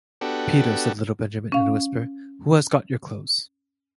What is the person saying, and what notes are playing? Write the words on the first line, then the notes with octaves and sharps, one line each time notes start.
"Peter," — said little Benjamin, in a whisper — "who has got your clothes?"
B3 D4 F#4 G4 A4
C#4 F5